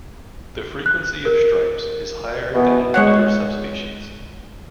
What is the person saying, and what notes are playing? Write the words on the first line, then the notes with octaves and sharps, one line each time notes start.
The frequency of stripes is higher than in other subspecies.
F#6
A#4
B2 E3 B3
G#3 C#5 F#5